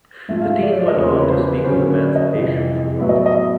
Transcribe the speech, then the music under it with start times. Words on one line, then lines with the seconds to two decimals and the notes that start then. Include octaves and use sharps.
The Dean went on to speak of emancipation from Rome.
0.28 G#2 F3 A3 E5
0.42 F5
0.45 E5
0.63 D5
0.71 C#5
0.79 D5
0.88 D#5
0.96 E2 C#3 F3 A#3 C#5
1.22 B4
1.30 C5
1.48 B4
1.64 D3 F#3 A#3 C#4 C5
1.73 B4
1.81 C5
1.90 C#5
1.98 D5
2.16 D#5
2.33 F2 C3 E3 G3
3.00 A2 F#3 B3 E5
3.09 D#5
3.17 D5
3.26 D#5
3.34 E5